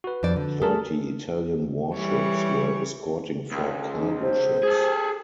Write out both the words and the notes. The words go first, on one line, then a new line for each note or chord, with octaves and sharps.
Thirty Italian warships were escorting four cargo ships.
F#4 B4
F2 C5 D5
D3
A3 G#4 A#4 A5
E3 G3 C#5
C#2
D#4
C5
G#4 A4